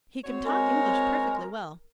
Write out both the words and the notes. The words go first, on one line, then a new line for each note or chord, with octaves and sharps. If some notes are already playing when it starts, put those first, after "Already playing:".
He could talk English perfectly well.
C4 F#4 C#5
G#3 A#4